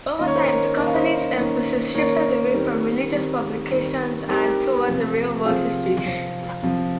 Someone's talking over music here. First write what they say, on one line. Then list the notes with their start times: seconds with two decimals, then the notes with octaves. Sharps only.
Over time, the company's emphasis shifted away from religious publications and toward railroad history.
0.19 D#3 A#3 C#4 D#5
0.27 C#5
0.36 C5
0.44 A#4 C#5
0.78 D#3 A#3 C#4 D#5
0.87 F5
0.95 C5 D#5
1.36 D#3 A#3 C#4
1.95 D#3 A#3 C#4 A#4 C#5
2.53 D#3 G3 C4
3.11 D#3 G3 C4
3.70 D#3 G3 C4
4.29 D#3 G3 C4 G4 A#4
4.88 C3 F3 C4
5.45 C3 F3 C4 F4 G#4
6.04 C3 F3 C4
6.63 C3 F3 C4